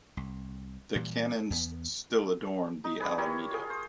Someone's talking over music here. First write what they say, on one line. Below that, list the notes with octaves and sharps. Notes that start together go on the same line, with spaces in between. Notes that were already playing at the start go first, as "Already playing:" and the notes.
The cannons still adorn the Alameda.
C2
A#2 E3 G3
E2 B3
D#4
G#4 B4 D5
E4 G4 A#4 C#5
F4 G#4
C5